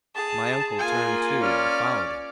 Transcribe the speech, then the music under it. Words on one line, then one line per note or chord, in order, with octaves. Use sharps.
My uncle turned too, and followed it.
G#4 A5
A#3 F4 G#5
C#4 D5 F6